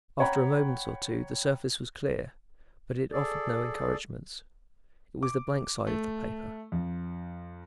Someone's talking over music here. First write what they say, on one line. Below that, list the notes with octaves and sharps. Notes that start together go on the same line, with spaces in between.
After a moment or two the surface was clear, but it offered no encouragement; it was the blank side of the paper.
C#5 F#5 G5 A#5 B5
G#4 A4 D5
D6
A3
F2